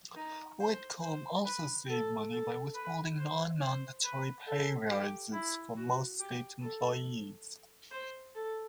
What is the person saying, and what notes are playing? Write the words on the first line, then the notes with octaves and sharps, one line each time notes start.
Whitcomb also saved money by withholding non-mandatory pay raises for most state employees.
D#4
C5
C5
B4
A4
A4
B4
C5
C5
B4
A4
G4
E4
F#4
G4
A4
C5
A4